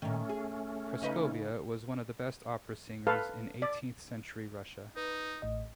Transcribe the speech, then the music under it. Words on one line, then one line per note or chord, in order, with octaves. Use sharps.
Praskovia was one of the best opera singers in eighteenth-century Russia.
A#2 D#3 A3 C#4
G#4
C#3 D#4 B4
A4 B4 F5
D5
D#4 B4
A1 A2 D#5